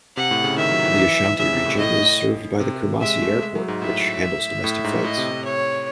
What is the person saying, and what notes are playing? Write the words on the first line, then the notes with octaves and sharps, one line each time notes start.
The Ashanti region is served by the Kumasi Airport, which handles domestic flights.
C3 F#5
A2
C#3
D#3 E5
F#3
E3
E3
C#3 E5
C3
A2
A2 D#5
C3
G#3 E5
A3
G#3
F#3
G#2
A2 E5
A2
G#2
A2 D#5
C3
A2
C#5